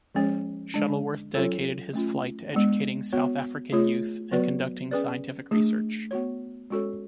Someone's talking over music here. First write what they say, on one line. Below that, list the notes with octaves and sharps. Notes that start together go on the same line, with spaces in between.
Shuttleworth dedicated his flight to educating South African youth and conducting scientific research.
F3 G#3 C#4 G#4 C#5
D3 G#3 D4
F#3 C#4 F4 A4 C#5
A3 C#4 F4
G#3 B3 D4
B3 F#4 C#5
A3 F4 G#4 C#5
F#3 B3 F#4 B4 D5
C#4 G#4 B4 D5
A3 D4 G#4
B3 F#4 C#5
G#3 C#4 F#4 A4 C#5